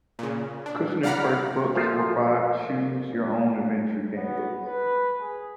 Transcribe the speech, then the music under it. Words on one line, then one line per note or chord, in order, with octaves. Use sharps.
Kushner's first books were five Choose Your Own Adventure gamebooks.
A#2 C#3
D4
D5 F5 F#5 A#5 B5 F6
A#2 F3 A3 F4 C5 F5
B3
B4
G#4